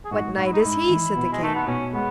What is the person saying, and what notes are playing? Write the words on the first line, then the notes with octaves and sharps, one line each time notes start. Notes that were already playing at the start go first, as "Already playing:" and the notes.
What knight is he? said the king.
G#4
G#2 F#4
G#2 F#4
E4
D#4
G#2 E4
E3
B2
G#3
A3 D#4
B3
B2 C#4
G#3 B3